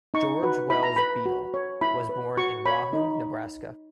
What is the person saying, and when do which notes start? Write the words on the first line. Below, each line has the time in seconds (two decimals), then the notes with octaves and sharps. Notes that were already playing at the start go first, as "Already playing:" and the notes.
George Wells Beadle was born in Wahoo, Nebraska.
0.14 D#4 C#6
0.43 F#4 B4
0.70 E4 B5
0.83 A#5
0.96 B4 B5
1.26 F#4
1.54 C#5
1.81 E4 B5
2.09 B4
2.37 F#4 C#6
2.65 C#5 B5
2.93 D#4